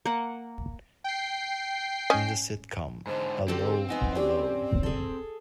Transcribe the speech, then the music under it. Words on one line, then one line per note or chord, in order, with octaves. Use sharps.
In the sitcom 'Allo 'Allo!
A#3 F#5
G5 C7
C#4 D#5 G#5
G#2 D3 C5
D3 C4 G4 A4
B3 D#4 F#5 G#5
C#4 G4 D5
G#4 A4